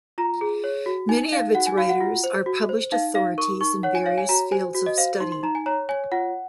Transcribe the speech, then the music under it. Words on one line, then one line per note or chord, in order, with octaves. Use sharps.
Many of its writers are published authorities in various fields of study.
F4 A#5
G#4
C#5
F#4
D#4 G#5
D#4 F5
F#4 F#5
G#5
F#4 F5
F#5
F4
C5
F#4
C5
D#4 F5
D#4 F5
A#4 C#6
D#4 C#6
C#5 F#5
G#5
C#5 F5
G#5
F#4 A#5
C5 G#5
F#4
D#5
C5 F5
D#4 C6
C6
D#4 A#5
G#5
C#5 A#5
C#5 G#5
F4 F#5